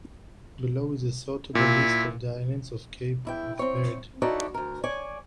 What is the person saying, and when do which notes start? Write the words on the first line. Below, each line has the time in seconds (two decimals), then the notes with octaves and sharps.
Below is a sortable list of the islands of Cape Verde.
1.55 A#2 E4
3.25 E2 E4 G5
3.59 C4 C#5
4.22 D#4 E4 F#4 A4 C#5 D5
4.54 D2 A#4
4.84 C#5 D5 G#5